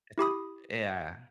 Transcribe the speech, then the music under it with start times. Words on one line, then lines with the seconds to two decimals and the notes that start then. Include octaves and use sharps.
It's a yeah, yeah.
0.18 E4 G4 B5 D#6